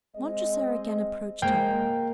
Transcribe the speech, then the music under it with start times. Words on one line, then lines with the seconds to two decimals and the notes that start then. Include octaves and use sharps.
Montresor again approached her.
0.15 G#3 C4 D#5
1.42 G#3 A#3 G5